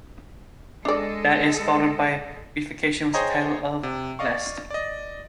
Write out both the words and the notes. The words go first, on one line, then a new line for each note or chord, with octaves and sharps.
That is followed by beatification, with the title of "Blessed".
G#3 D4 A4 D5 D#5
G#4 C5 C#5 D#5 G5 A#5
C3
D5 D#5 F5 C#6
D5 D#5